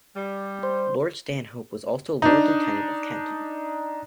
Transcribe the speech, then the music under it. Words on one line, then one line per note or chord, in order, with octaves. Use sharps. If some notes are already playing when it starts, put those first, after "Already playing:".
Lord Stanhope was also Lord Lieutenant of Kent.
G3
C5
D4 D#4